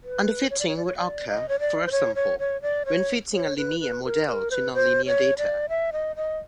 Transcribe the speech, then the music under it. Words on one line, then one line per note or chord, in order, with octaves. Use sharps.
Underfitting would occur, for example, when fitting a linear model to non-linear data.
B4
C#5
D5
C#5
D5
C#5
D5
D#5
C#5
D5
C5
C#5
C#5
C#5
D5
C#5
C#5
B4
B4
A#4
B4
A#4
C5
B4
C5
C#5
D5
E5
D#5
D#5